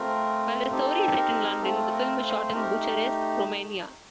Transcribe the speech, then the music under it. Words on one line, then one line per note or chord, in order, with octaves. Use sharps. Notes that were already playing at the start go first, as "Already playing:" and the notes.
While the story is set in London, the film was shot in Bucharest, Romania.
Already playing: A3 C4 F4 A#4
C4 D#4 G4 A4
A#4
A3 C4 F4 A4
A#4
C5
A3 D#4 G4 A#4